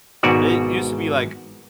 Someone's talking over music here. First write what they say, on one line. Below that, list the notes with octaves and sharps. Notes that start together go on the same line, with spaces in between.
it used to be like,
G#1 G#2 B2 F#4 D5